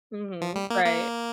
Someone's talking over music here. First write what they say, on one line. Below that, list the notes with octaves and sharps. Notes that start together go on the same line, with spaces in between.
Mhm, right.
F3
G3
A#3
A#3